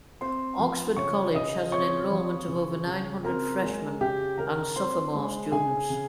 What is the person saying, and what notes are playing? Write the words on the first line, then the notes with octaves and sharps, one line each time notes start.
Oxford College has an enrollment of over nine hundred freshman and sophomore students.
C4 C5 C6
F3
C#3 C#5 C#6
C#3 D#5 D#6
C4 C#5 C#6
F3
C#3
C#3
C4 A#4 A#5
G#3
C#3 G4 G5
C#3 A#4 A#5
C4 C5 C6
G#3
C#3 G#4 G#5
C#3